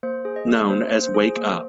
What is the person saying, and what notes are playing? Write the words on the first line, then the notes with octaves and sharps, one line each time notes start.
Known as Wake Up!
A#3 C5
G#4
D#5
A#3
A#3 C5
A#3
C5
G#4
A#3